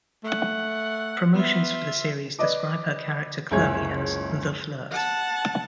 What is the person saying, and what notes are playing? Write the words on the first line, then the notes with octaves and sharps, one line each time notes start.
Promotions for the series describe her character Chloe as "The Flirt".
A3 F#5
B3 F4 E5
B4 D5 D#5 D6
F#1 C#2 E4 G#4 C#5 G#6
F#5 A5